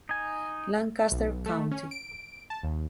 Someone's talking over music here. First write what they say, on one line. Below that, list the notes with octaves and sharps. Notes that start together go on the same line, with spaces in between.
Lancaster county.
D#4 G#5
B1
A3
C#4
D7
A5
D#2